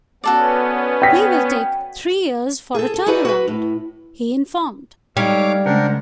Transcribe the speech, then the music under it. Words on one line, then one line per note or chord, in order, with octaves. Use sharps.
"We will take three years for a turnaround," he informed.
B3 C#4 F#4 A4 D5
G5 B6
G#4 A4
A4
D#4 E4 F#4 G#4 B4 D5
F#4 B4
A2
G3 G#3 D#4 A4 C#5 F5 D6
C#3 G#3 D4 A#4 C5 F#5 G5